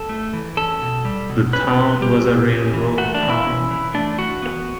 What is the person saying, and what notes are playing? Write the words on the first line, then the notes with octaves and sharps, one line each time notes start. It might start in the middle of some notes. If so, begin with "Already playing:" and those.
The town was a Railroad town.
Already playing: A4
A3
E3
C#4 A4
B2
G3
B2
C#4 B4
B2
G3 G4
B2
C#4
E3
A3 F#4
D4
E3
E4
C#4
E3
A3 D4
E3 F#4
B3